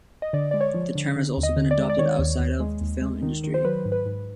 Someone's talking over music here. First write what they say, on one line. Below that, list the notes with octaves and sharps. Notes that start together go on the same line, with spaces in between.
The term has also been adopted outside of the film industry.
D#5
D3 D5
G#3 D5
C#5
F3
D3
D3
D#2
D#5
D3
D5
G#3
D5
D#3 C#5
D#2
D#2
G#3
D#2
G#3
D#3
D#3
C5
F#3 B4
G#2
B4
G#2